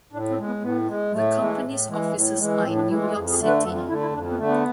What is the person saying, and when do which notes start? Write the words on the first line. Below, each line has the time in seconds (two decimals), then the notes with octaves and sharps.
The company's offices are in New York City.
0.13 A2 D4
0.30 C4
0.38 G#3
0.47 B3
0.62 A2 B3
0.87 G#3
1.13 A2 A3
1.39 E3 G#3
1.63 A2
1.88 E3 G#3
2.13 A2
2.38 E3 G#3
2.63 A2 C4
2.75 D4
2.88 E3 G#3 E4
3.02 F4
3.14 F2 G#4
3.30 G#4
3.38 D3 A3
3.47 B4
3.63 F2 A4
3.76 F4
3.88 D3 A3 E4
4.01 E4
4.13 F2 D4
4.31 B3
4.38 D3 A3
4.47 B3